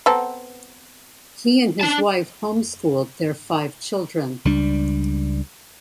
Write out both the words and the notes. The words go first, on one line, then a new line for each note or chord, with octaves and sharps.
He and his wife homeschooled their five children.
B3 C4 A4 B4 F#5 A#5
D4 A5
C#2 G3 D4